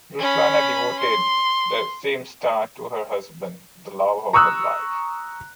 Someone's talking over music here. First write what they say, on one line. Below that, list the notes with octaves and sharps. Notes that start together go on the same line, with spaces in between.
Ruslana devoted "The Same Star" to her husband, the love of her life.
C#4 B5
C6
A#5 C#6 D#6 E6 F#6